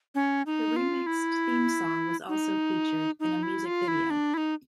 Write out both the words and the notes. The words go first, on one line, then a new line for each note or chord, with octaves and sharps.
The remixed theme song was also featured in a music video.
C#4
D#4
F4
E4
D#4
D#4
E4
F4
E4
D4
E4
D#4